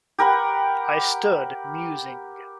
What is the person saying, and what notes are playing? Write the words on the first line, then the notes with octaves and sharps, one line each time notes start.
I stood musing.
G4 A#4 B4 F#5